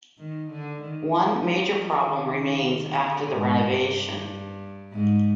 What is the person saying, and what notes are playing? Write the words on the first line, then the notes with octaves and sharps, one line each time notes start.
One major problem remains after the renovation.
D#3
D3
D#3
F3
G3
F3
D#3
D3
G#2
G2
G#2